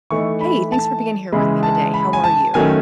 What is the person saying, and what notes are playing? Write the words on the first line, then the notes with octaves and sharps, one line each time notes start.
Hey. Thanks for being here with me today. How are you?
E3 A3 D#4 C#6
B5
A5
C#3 E3 G#3 B5
A5
B5
G#5
A5
D#3 F#3 A3 C#4 G#5